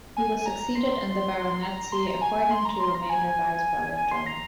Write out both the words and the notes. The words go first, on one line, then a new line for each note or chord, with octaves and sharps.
He was succeeded in the baronetcy according to remainder by his brother John.
G#5
G#5
A#5
C6
A#5
C6
A#5
G#5
G#5
C6
A#5
C6
A#5
G#5
G#5
C6
A#5